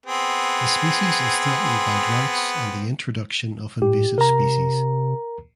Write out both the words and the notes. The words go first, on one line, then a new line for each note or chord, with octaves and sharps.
The species is threatened by droughts and the introduction of invasive species.
B3 C4 G#4
A2 G4
C3 A#4 A#5